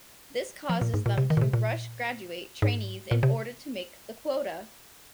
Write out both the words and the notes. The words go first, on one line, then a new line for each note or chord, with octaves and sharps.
This causes them to 'rush-graduate' trainees in order to make the quota.
F3
A#2
G#2
A#2
C3
D#3
A#2
C3
A#2
G#2
A#2
C3